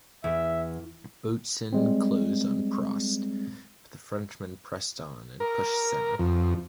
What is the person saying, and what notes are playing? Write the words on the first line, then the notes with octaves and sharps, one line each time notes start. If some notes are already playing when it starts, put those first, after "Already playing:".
Boutsen closed on Prost, but the Frenchman pressed on and pushed Senna.
E2 E5
G3 G#3 C4
A#4
F2